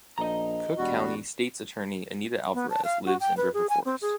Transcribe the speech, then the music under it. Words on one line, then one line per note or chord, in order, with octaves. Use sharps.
Cook County state's attorney Anita Alvarez lives in River Forest.
A#1 D#5 A#5
E1 G3 F#4
B3
A5
F5
F#4
G5
B4
G#4
G#5
C4
G#4